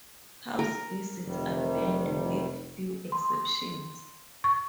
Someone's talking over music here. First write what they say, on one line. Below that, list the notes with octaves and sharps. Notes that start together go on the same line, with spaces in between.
House visits are banned with few exceptions.
A#4
F1 C3 D#3 G3
C6
C#6